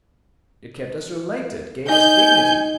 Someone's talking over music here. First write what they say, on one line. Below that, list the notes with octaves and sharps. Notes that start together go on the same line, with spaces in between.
It kept us related--gave us dignity....
D#4 D#5 G#5 G6